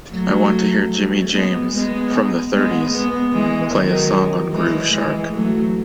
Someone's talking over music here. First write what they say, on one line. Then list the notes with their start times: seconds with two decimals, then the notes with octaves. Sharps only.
I want to hear Jimmy James from the thirties, play a song on Groove Shark.
0.12 F#3 A3
1.33 G#3 B3
1.72 G#3 B3
2.52 G#3 B3
2.92 G#3 B3
3.32 E3 G#3
3.72 D#3 F#3
4.52 E3 G#3
4.92 E3 G#3
5.32 F#3 A3